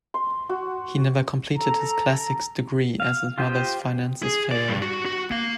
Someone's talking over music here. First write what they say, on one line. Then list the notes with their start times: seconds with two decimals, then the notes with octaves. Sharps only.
He never completed his classics degree as his mother's finances failed.
0.14 C6
0.49 F#4
1.56 A4 A#5
3.00 F5
3.38 F4 G4 C5 D#5 G5
4.23 G#4
4.51 C#2 D5
4.68 G2
4.82 F#4
5.06 F#4
5.31 A#3 F5